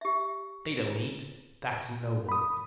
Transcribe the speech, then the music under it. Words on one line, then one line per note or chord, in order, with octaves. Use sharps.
They don't eat; that's noble.
G4 E5
B5 D#6